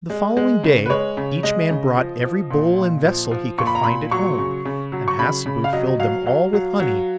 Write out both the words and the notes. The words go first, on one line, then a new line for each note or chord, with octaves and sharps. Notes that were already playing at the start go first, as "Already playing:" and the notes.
The following day each man brought every bowl and vessel he could find at home, and Hassebu filled them all with honey.
G#3
G#3
C#3
B4
G#3 C#5
C#3
G#3 D#5
C#3
F3
F3
A#2
A#2
F3
F3
A#2 C#6
B5
A#5
A#2 B5
F#3 C#6
C#3
C#3
F#3
C#6
C#3 B5
C#3
F5
F#3 D#5
D#5
F#3 F5
F#3 F5
F#3
F#3